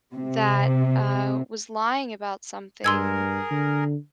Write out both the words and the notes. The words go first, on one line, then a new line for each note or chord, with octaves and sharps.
that, uh, was lying about something,
C3
G2 G#4 A#4 C6 E6 G#6
D3